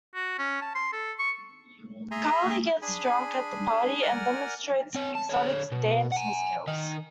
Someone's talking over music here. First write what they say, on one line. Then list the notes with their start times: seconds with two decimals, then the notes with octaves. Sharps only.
Carly gets drunk at the party and demonstrates exotic dancing skills.
0.15 F#4
0.39 C#4
0.62 A5
0.75 C6
0.93 A4
1.19 C#6
2.11 G#4 E5 G#5 A#5 C6
2.82 D4 G#4 G#5 B5
4.02 A#4 D5 F#5 G#5 F6
4.94 C4 C#5
5.15 A5
5.29 D3 C#5
5.72 B2
6.12 F#5 G#5
6.68 D#3 D#5